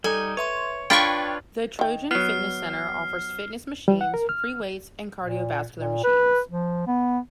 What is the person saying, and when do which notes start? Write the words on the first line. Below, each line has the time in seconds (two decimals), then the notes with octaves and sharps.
The Trojan Fitness Center offers fitness machines, free weights, and cardiovascular machines.
0.04 G3 D#4 A4 G#5
0.37 B4 C#5 E5 C6
0.90 D4 F4 B4 G5 C#6 G#6
1.79 D#3 G5
2.11 F#3 B3 F6 C7
3.88 G3
4.01 F#5
4.14 A#4
4.29 F6
5.21 A#2
5.74 A#2
6.04 B4
6.51 F3
6.87 B3